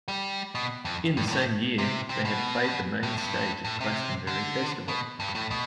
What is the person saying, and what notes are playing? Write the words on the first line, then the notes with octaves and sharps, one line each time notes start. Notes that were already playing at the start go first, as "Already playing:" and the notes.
In the same year they had played the main stage at Glastonbury Festival.
G3
B2
F2
G2
G2
A2
C3
C3
B2
A2
G2
A2
C3
D3
B2
G2
A2
B2